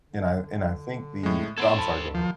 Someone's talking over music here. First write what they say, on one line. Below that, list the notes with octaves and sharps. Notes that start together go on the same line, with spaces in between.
And I and I think the Oh, I'm sorry, go ahead.
D3
A2 G#3
B3 A4 C5 G#6 D7
G#2 A5 B5
D#3 F3